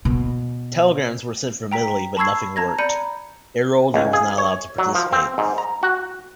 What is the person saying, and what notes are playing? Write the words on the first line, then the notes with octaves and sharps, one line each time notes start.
Telegrams were sent from Italy but nothing worked: Airoldi was not allowed to participate.
B2
G5 A#5 B6
A5 B5 C#6 E6 G#6 C7
A5 A#5 G#6 A#6
D5 A#5 B5 G6 C#7 D#7
C#2
G#4
C#5
F#3
F3
C4
G#2
A#5
F#4